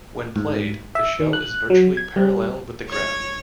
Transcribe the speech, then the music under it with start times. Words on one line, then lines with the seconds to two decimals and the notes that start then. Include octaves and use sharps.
When played, the shell is virtually parallel with the ground.
0.36 G#2
0.95 E5
1.20 D#3
1.33 F#6
1.70 F#3
1.97 G#6
2.16 G3
2.89 C#5